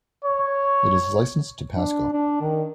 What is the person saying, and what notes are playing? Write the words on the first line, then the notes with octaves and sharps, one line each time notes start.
It is licensed to Pasco.
C#5
D4
D4
D#3